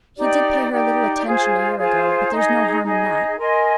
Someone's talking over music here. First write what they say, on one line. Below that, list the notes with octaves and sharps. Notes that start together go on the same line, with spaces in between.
He did pay her a little attention a year ago; but there's no harm in that.
D#4 G4 D5
D#4 G4 D5
F4 G#4 C5
F4 G#4 C5
D#4 G#4 D#5
D#4 G#4 D#5
A#4 D#5 G#5 C6